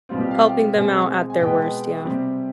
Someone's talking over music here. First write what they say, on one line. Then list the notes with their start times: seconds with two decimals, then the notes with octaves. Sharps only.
Helping them out at their worst, yeah.
0.09 B2 G3 C4 F4
0.21 G4
0.31 F5
0.42 G5
0.74 B2 G#3 C4 G#5
1.30 G#5
1.40 B2 G#3 B3 G5
2.05 C3 G3 C4